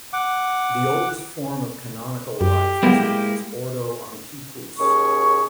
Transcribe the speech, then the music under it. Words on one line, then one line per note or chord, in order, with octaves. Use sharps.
The oldest form of canonical life was known as "Ordo Antiquus".
F#5 D6
F#2 G4
F#3 G#3 A#3 B3 E4
D#2 C#4 G#4 C#6